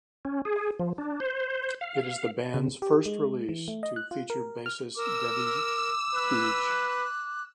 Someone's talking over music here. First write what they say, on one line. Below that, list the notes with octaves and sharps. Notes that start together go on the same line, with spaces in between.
It is the band's first release to feature bassist Debbie Googe.
C#4
G#4
F3
D4
C5
F5
C#3
G4
G#3
E3
A3
D#5
F#6
F4
A#4
F6
A#4 D6 E6
B4 F#6